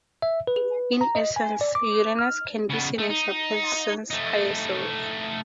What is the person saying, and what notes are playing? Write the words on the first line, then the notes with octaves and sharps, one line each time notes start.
In essence, Uranus can be seen as a person's higher self.
E5
B4
A#5
D#5
G#5
D5
D6
F6
C#3 B3
A3
D#4
A3 D#4